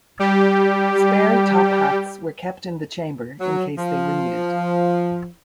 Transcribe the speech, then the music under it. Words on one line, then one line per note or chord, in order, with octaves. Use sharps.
Spare top hats were kept in the chamber in case they were needed.
G3 G4
F#3
F3